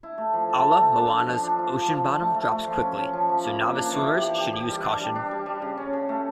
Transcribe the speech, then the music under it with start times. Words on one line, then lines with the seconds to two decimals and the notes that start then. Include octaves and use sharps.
Ala Moana's ocean bottom drops quickly, so novice swimmers should use caution.
0.03 E4
0.18 A3
0.33 F3
0.50 A4
0.65 A4
0.81 A3
0.97 D4
1.11 F3
1.27 F3
1.43 D4
1.59 F3
1.73 F3
1.89 F3
2.05 F3
2.20 A3
2.36 A3
2.51 A3
2.66 F3
2.83 C#4
2.98 C#4
3.13 F3
3.29 F3
3.44 A#3
3.60 A#3
3.76 D4
3.92 E3
4.07 G4
4.22 G4
4.37 G4
4.53 G4
4.69 G3
4.84 D4
5.00 G3
5.15 D4
5.31 G3
5.46 G3
5.62 C#3
5.77 C#4
5.93 C#3
6.09 A3